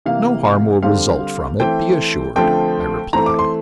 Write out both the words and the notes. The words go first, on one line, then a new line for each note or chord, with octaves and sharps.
"No harm will result from it, be assured," I replied.
C3 E3 A#3 F5
D3 G3 C4 F5
E3 A3 C4 G5
D3 F3 A3 C4 G5
E3 A3 C4 A#5
D6
C6